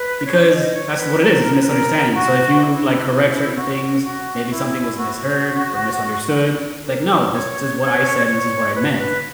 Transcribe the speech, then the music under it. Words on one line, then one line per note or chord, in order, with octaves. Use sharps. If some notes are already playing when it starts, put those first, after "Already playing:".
because that's what it is, it's a misunderstanding, so if you, like, correct certain things, maybe something was misheard or misunderstood, like, "No, this is what I said, and this is what I meant,"
Already playing: B4
C#5
D#5
C#5
C#5
B4
A#4
B4
A#4
F#4
E4
E4
F#4
F#4
E4
F#4
A#4
C#5
C#5
C#5
B4
B4